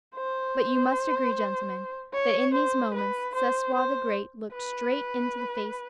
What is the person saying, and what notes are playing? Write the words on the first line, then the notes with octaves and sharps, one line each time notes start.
But you must agree, gentlemen, that in these moments Sesoi the Great looked straight into the face of death.
C5
C#5
C5
B4
C5
C5
B4